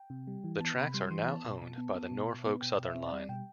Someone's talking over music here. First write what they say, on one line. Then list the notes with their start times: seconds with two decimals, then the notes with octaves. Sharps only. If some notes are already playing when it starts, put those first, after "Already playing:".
The tracks are now owned by the Norfolk Southern line.
Already playing: G5
0.10 C3
0.27 G3
0.44 E3
0.60 B3 A5
0.77 C3 B5
0.94 G3 C6
1.10 E3 C6
1.27 B3 A5
1.45 B2
1.61 B2
1.78 B3
1.95 B3
2.11 B2
2.28 B2
2.46 B3
2.61 B2 G5
2.78 B2
2.85 E5
2.95 C4
3.06 D5
3.12 G3
3.29 B2 G5